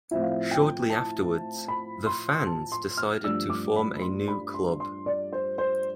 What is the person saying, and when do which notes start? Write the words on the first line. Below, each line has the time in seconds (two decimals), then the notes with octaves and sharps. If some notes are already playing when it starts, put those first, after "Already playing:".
Shortly afterwards the fans decided to form a new club.
0.11 A2 F3 C4 E4 E5
0.22 F5
0.32 E5
0.51 G5
0.90 A5
1.68 B5
2.06 C6
2.47 A5
2.72 C6
2.97 F6
3.24 G2 F3 A3 D4 E6
3.50 D6
3.76 B5
4.02 C6
4.28 B5
4.54 C6
4.80 C6
5.06 D5
5.33 C5
5.58 C5